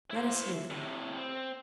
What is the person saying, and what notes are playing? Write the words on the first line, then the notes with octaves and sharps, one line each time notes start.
Let us leave him.
E4 C5
A2 C3
C4